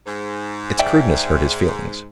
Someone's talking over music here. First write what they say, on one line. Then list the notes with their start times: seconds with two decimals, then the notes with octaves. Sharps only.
Its crudeness hurt his feelings.
0.06 G#2
0.79 D5 E5 G5